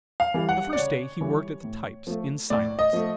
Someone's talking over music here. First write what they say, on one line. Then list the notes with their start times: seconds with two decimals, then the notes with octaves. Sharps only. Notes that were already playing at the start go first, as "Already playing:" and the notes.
The first day he worked at the types in silence.
0.20 F5
0.34 E3 G3
0.49 F#5
0.73 D5
0.77 C#3 C#5
1.21 E3 G3
1.64 A2
2.07 F3 A3
2.50 A2 D5
2.79 D#5
2.93 F3 A3